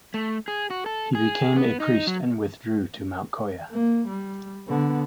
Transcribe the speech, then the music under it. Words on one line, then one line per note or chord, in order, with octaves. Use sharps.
He became a priest and withdrew to Mount Koya.
A3
G#4
F#4
A4
G#4
B3
D#4
F#3
A#3
G3
D3 B3